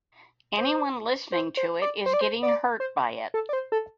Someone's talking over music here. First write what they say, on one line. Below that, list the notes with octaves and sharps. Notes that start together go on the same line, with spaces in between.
Anyone listening to it is getting hurt by it.
C5
C5
C5
D5
C5
D5
C5
D5
C5
A4
D5
C5
A4